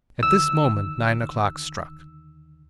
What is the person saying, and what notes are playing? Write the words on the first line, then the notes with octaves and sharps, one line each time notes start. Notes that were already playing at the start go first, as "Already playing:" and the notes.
At this moment nine o'clock struck.
D#2 D3 D#3 E6